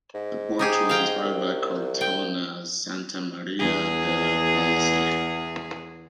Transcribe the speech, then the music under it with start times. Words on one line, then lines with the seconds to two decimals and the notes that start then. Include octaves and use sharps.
The porch was inspired by Cortona's Santa Maria della Pace.
0.14 G#2
0.59 D#4 G4 G#4
0.89 F5 G5 A#5
1.24 C2
2.01 G5
3.59 E2 G#4